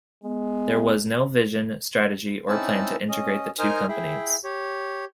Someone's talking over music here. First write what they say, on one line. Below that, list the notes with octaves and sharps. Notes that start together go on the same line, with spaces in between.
There was no vision, strategy, or plan to integrate the two companies.
G#3 B3
C4 C#4 D#4 E4 A5 E6
C#4 D#5
D#4 A#4 C5 D#5 G#5 F6
E4 G#4 E5 G5
G4 C#5